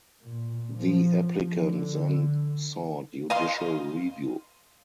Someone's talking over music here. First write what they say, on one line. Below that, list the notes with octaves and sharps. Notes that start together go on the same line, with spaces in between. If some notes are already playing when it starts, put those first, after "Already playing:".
The applicant then sought judicial review.
A#2
F3
D3
D#5 F5 C6